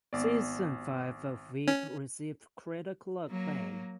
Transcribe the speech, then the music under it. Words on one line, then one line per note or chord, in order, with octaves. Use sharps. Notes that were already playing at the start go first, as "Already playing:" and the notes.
Season five of "Veep" received critical acclaim.
G#1 B3 D5
C#4
F#3 A#3